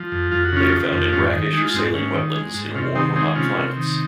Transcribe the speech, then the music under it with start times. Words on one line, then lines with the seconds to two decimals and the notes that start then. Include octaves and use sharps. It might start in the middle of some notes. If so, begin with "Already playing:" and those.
They are found in brackish or saline wetlands in warm or hot climates.
Already playing: F3
0.12 F2
0.31 F2 F4
0.44 F#4
0.52 C#3 C#4 F4
0.72 F3
0.92 F2
1.12 G#2 C#4 F4
1.33 D#3
1.53 G#3 D#4
1.65 F4
1.74 G#2 C4 D#4
1.94 G#2 C#4
2.14 D#3
2.35 G#3
2.54 G#2
2.74 C3 C#4 F4
2.95 D#3 C4 D#4
3.15 G#3 C4 D#4
3.35 C3 C#4 F4
3.57 C3
3.76 D#3